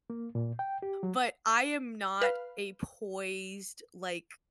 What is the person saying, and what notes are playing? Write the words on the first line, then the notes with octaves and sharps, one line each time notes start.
but, I am not a poised, like,
A#3
A#2
G5
G4
F#3
B4 F5